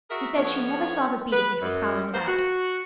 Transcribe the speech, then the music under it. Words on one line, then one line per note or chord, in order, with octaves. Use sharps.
She said she never saw the beat of me for prowling about.
F#4 G#4 A#4 E5
F2 B3 C#5
B4
F#2
A#3 B3 A#4 C5
F#4